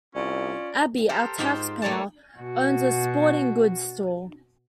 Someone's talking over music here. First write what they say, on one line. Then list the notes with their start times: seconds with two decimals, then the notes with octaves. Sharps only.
Abby, our taxpayer, owns a sporting goods store.
0.15 C2 C#4 F4 D5
1.09 G4 A4 A#4 C5
1.38 G#2 F4 G4 C5 G5
1.82 A3 A#3 C#5 D5 A5
2.38 B2 F#4